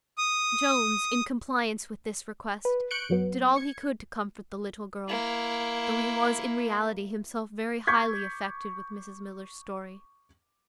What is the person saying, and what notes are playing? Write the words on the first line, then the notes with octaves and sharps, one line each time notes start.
Jones, in compliance with this request, did all he could to comfort the little girl, though he was, in reality, himself very highly affected with Mrs Miller's story.
D#6
B4
C#6 F#6 G6 C#7 D7
F#2 F#3 B3
G#6 C#7
A#3 E4
C#6 D6 G6 G#6 B6